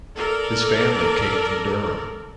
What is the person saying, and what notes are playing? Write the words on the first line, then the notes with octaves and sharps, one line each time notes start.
His family came from Durham.
A4 A#4 D5